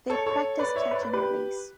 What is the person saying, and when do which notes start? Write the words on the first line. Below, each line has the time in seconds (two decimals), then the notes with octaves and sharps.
They practice catch and release.
0.10 A4 C#5
0.26 A4 C#5
0.59 B4 D5
0.76 C#5 E5
0.91 B4 D5
1.02 B4 D5
1.13 G4 B4